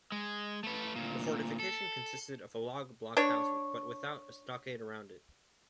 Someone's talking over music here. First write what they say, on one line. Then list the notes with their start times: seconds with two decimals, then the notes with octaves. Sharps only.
The fortification consisted of a log blockhouse but without a stockade around it.
0.12 G#3
0.63 A3 B4
0.96 D2 A#2
1.60 A4
3.17 D4 C#5